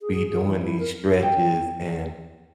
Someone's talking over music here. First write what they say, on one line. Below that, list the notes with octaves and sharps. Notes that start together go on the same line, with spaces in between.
be doing these stretches and
G#4
G#4
G#4
E3
E4
A#4
G5